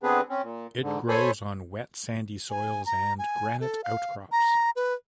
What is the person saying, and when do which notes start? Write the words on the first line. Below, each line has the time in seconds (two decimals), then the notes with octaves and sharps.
It grows on wet sandy soils and granite outcrops.
0.03 D3 B3 C4 D4 G#4 B4
0.29 C4 C#4
0.43 A#2
0.82 G#2 D3
1.09 A4 C5 C#5 G#5 B5
2.50 G#5
2.86 A#5
3.18 G#5
3.60 A4
3.84 F5
4.32 A#5
4.76 B4